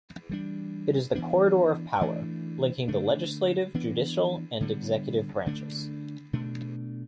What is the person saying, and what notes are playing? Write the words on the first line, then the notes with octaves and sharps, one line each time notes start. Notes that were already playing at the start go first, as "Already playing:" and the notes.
It is the corridor of power, linking the legislative, judicial, and executive branches.
E3 G3 D4
E3 B3 D4
E3 A3 D4
D3 A3 D4
E3 B3 D4
D3 G3 B3
D3 A3 D4
B2 A3 D4